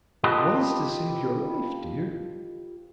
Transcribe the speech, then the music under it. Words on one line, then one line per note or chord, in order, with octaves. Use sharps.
"It was to save your life, dear."
F4 G4 A4 B4 C5 D#5